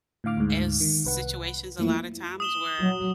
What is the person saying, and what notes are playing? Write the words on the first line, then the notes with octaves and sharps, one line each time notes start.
as situations a lot of times where
A2 D3 F5 D6 F6
D2 G#2
D#3
C2 B4 F#5
F#2 E3 F3 A3 A#3 E4
D#6 E7 G7
F#3